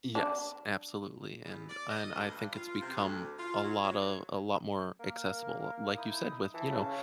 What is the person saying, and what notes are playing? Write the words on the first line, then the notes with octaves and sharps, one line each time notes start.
Yes, absolutely, and and I think it's become a lotta a lot more accessible, like you said, with, you know,
D4
E2
D5
D#5
D2
G2
F4
C3
D2
F4
F#3
F#3
A#3 A#4
D#4 E4 D#6
E3 E5 A5
C#3